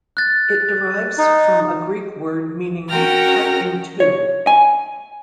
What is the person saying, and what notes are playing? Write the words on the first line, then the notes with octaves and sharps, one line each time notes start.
It derives from a Greek word meaning "cut in two".
F#6 A6
D#4
C#4 F#4 A#4 G5 F6 A#6
C#5
G#5